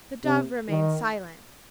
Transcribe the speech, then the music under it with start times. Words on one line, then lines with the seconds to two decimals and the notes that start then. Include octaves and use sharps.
The Dove remained silent.
0.24 C3
0.69 D#3